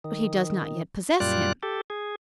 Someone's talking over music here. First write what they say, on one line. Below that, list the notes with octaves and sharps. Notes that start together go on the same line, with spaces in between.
But he does not yet possess Him.
D#3
F#2 A#2 G3 F4 D5 F#6
G4 A4
G#4